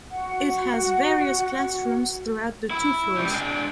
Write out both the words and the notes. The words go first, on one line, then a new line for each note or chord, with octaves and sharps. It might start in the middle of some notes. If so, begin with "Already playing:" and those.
It has various classrooms throughout the two floors.
F#4 F#5
E4
C#2 G3
G#3 D4